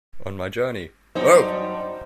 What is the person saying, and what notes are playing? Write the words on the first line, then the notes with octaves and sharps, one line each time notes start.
On my journey - oh!
F#2 G3 D4 D#4 C5